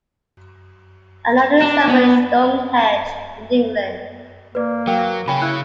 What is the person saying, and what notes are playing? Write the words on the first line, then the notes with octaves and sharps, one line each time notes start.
Another example is Stonehenge in England.
D4
B3
A#3 B4 D5
F#3 A#4 F5 G5
C#3 C#4 G5 G#5 B5
E4 F#6 C#7